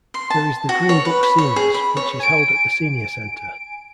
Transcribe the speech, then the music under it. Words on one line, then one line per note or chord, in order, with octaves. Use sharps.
There is the Green Brook Seniors, which is held at the Senior Center.
C6
A5
F#4
C#5
B4
B5
C#5
G#4
B5
C#5
G#5 D7